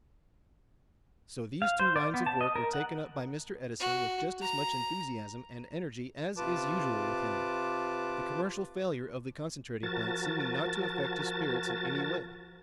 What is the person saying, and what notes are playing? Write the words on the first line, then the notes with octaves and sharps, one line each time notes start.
So these two lines of work were taken up by Mr. Edison with just as much enthusiasm and energy as is usual with him, the commercial failure of the concentrating plant seeming not to affect his spirits in any way.
F5
C5
D5
B3
A5
D#5
A#4
F#5
F#4
A#5
C3 F4 B4 A5 D6
F3 F#4 A#4 A5 A6